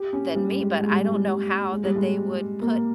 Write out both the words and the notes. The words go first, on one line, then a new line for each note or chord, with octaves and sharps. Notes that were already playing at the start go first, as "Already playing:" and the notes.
than me, but I don't know how that they would put
Already playing: G4
C#4
G3
G#3
G#3
G3
G3
G3
G#3
G3
G#3
A#3